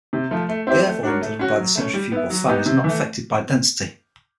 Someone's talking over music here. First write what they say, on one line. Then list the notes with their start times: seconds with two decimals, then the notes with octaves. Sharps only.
The air volume delivered by the centrifugal fan is not affected by density.
0.13 C3
0.31 F3 A3
0.49 A3
0.67 C4 E4 G4 C5
0.86 A3
1.03 D4 F#4 A#4 C#5
1.22 A3
1.39 C#4 F#4
1.57 F#3
1.75 A3 C#4
1.94 G3
2.12 B3 E4
2.30 F#3
2.48 B3 D#4 G4
2.66 C3
2.84 E3 A3